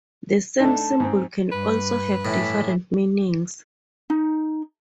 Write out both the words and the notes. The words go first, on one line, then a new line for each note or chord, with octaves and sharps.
The same symbol can also have different meanings.
A3 D4 D#4 A5
G#2 C4
G2 B4
A2 E3
D#4